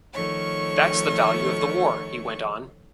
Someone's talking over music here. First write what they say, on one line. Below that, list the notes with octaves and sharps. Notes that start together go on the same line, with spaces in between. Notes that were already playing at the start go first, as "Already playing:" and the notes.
"That's the value of the war," he went on.
D#3 F3 A3 C#5 C#6